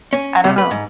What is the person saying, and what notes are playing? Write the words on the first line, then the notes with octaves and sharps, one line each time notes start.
I don't know.
C#4
C3
B4
G#2